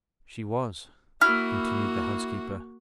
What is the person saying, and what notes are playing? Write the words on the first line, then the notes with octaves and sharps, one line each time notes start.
'She was,' continued the housekeeper.
A#3 E4 F#4 F6